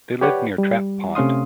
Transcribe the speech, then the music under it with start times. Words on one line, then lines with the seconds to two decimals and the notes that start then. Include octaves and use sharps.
They lived near Trap Pond.
0.21 G4 B4 C#5 D5 F#5 G5
0.58 G3
1.15 C3 A3 C#4 F5 C6 D#6